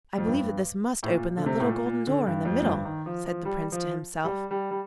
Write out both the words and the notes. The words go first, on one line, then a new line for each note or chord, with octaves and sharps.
'I believe that this must open that little golden door in the middle,' said the Prince to himself.
F2
G2
A2
A#2
A#2
D3
C3
A2
A#2
A#2
D3
G2
F2
F2
G2
D#3
F3
F3
G3
F3
G3
G3
G3